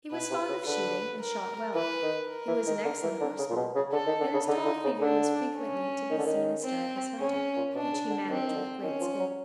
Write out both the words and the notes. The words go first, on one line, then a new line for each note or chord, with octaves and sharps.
He was fond of shooting and shot well; he was an excellent horseman and his tall figure was frequently to be seen astride his hunter, which he managed with great skill.
B2 B4
C3
C#3
D3 B4
A#4
E3 B4
D#3
A#4
E3
D#3
D3
E3
D3
C#3
A#2
B2
C#3
D3 A4
D#3
D3
C#3
D3 D#4
D3
C#3
D3 D4
C#4
D#3
D3
D#3
C4
C#3 C#4
A#2
B2 D4
C#3
D3
D#3 C4
D#3
D3
D#3 C#4
F3
F#3